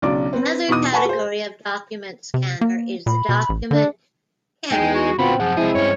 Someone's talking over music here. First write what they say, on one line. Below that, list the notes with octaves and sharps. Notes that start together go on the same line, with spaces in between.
Another category of document scanner is the document camera.
B1 C#3 F#3 D4 D5 D6
C4 B4
E2 B2 D#4 D6 D#6
B4 F#5 G#5 A5 B5 C#6
G#4 C5
C3
A#3
A#2 B5
B2
A1
D3 D4
E2 G#3 D#4 G5 G#5
F#4
A#2 D3 B3 C4 F4 F#4 B5
F#2 C3 F3 G#4 F#5
C2 G#3 C4 E4 G#4
G2 C#4 C#5